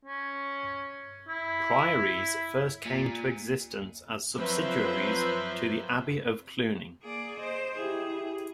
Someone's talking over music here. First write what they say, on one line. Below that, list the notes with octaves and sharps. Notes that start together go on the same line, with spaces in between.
Priories first came to existence as subsidiaries to the Abbey of Cluny.
C#4
E4
A#2
F3 F#3 C4 B4 C5 E5
A#3 G#4 D5
C5 D#5
E4 G4 G#4